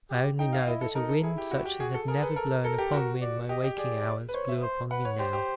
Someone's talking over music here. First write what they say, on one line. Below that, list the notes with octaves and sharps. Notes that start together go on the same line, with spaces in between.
I only know that a wind such as had never blown upon me in my waking hours, blew upon me now.
G4
D#4 G5
F5
E4 D#5
A4
D#4 A#4
A4
E4 G#4
G4
F#4
G4
F#4 G#4
A4
G#4 A#4
B4
A4 A#4
A4 A#4
G4
F#4 A#4
D5
G4 D#5
G4
G#4 D5
B4
C5 C#5
E5
C5
B4 F#5
C#5
G4 C5
G4